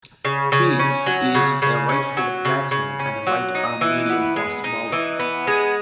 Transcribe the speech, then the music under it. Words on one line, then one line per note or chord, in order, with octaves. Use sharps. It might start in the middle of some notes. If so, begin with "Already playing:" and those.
He is a right-handed batsman and right-arm medium-fast bowler.
C#3
C#3
C#4
F#3
C#3
C#3
C#4
F#3
C#3
C#3
C#4
F#3
D#4
E3
B3
G#3
D#4
E3
B3
G#3